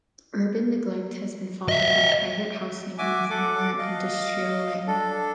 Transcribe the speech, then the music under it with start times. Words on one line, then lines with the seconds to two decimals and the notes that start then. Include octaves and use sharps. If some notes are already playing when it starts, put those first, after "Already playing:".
Urban neglect has been followed by private housing on former industrial land.
1.69 D#5 E5
2.98 F#4 E5 G#5 D6
3.30 A4 F#5 D6
3.79 D#5 F5
4.87 D4 A4